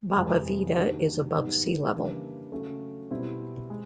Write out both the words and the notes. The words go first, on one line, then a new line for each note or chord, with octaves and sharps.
Baba Vida is above sea level.
F2 C3 E3 G#3
D#3 F#3 A#3 D4 G4
G#2 D#3 G3 B3
C#3 E3 G3 A#3 D4
C#3 F#3 A3 C#4
B2 G3 C4 E4
G#3